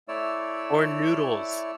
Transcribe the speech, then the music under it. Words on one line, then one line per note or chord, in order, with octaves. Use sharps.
Or noodles.
A3 E4 C#5 D5 E6